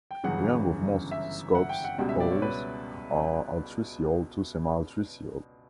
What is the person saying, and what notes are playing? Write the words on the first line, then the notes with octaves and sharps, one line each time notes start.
The young of most scops owls are altricial to semialtricial.
G5
G1 F#2 C#3 E3 F#5
E5
F#5
G5
F#5
C#2 B2 G3 F#5
E5
D5
C#5
B4